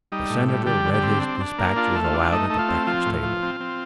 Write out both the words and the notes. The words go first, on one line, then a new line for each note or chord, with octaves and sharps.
The Senator read his dispatches aloud at the breakfast table.
G3 D#4
A2
G3
D3 G3 G4
D3
G3 G4
C4
D4
D4
A#3
D4 F4
A3
F4
D4
A3 D#4
A3
F4
C4
F3 F4
A2
F4
F3
C4
C4